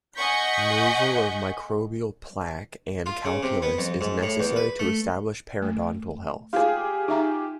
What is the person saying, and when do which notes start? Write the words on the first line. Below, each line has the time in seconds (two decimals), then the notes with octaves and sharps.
Removal of microbial plaque and calculus is necessary to establish periodontal health.
0.16 D#5 F#5 G#5 C#6 G6 B6
3.06 F4
3.25 C#3
3.43 C3
3.62 B3
3.78 F2
4.01 G#2
4.23 A2
4.40 E2
4.56 B4
4.79 A3
5.62 A3
6.53 F4 G4 G#4 F5
7.08 D#4 E5 A#5